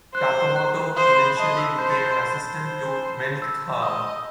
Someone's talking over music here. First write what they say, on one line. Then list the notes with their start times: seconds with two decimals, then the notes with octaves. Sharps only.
Takamoto eventually became an assistant to Milt Kahl.
0.15 C5 F#6
0.56 F#6
0.96 C5 D#6
1.07 C6
1.16 B5
1.37 D#5 A5
1.58 E6
1.78 C5 G6
1.90 A6
2.02 G6
2.60 C5
3.42 E6
3.82 D#5 D#6